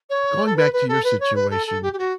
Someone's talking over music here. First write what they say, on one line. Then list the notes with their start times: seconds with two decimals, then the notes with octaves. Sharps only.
going back to your situation,
0.09 C#5
0.45 A4
0.56 B4
0.72 B4
0.88 A4
1.03 B4
1.20 C#5
1.35 B4
1.50 A4
1.66 A4
1.82 G4
1.93 G4
1.98 F#4